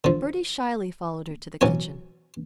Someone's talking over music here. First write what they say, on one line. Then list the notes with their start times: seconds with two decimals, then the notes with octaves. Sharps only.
Bertie shyly followed her to the kitchen.
0.04 D3 F3
1.61 A1 B2 F#3 C#5 G#5